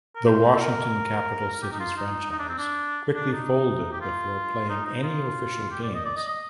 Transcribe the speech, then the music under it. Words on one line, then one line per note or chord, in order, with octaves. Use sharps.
The Washington Capital Citys franchise quickly folded before playing any official games.
A#4
C5
A4
A#4
G4
D#4
F4
D#4
D#4
D4
C4
D4
D4
D#4
G4
F4
D#4
D#4
F4
G4
D5
D#5
D5
D#5
D#5